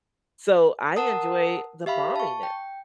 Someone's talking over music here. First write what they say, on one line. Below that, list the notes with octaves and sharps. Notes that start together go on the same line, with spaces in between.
So I enjoy the balminess
A#4 F#5 A5 D#6
G4 E5 F5 B5
A5 C#6
G5